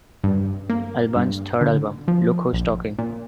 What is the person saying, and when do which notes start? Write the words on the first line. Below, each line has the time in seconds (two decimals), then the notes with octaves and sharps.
Alban's third album Look Who's Talking!
0.24 G2
0.70 A#3
1.16 G2
1.61 D3
2.08 F3
2.53 A#1
2.99 A#2